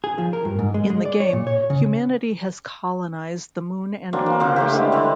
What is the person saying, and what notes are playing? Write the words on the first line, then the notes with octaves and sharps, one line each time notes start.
In the game, humanity has colonized the Moon and Mars.
G#4
F3
A#4
G2
G#2
G#3
G#3
D5
C#5
A#2
C#5
C#3
F#3 A#3 C4 D4
A#3
C#3 F3 A#3 C4
A3 C4 G4
D3 E3 G3 G#3
D3 C4 D4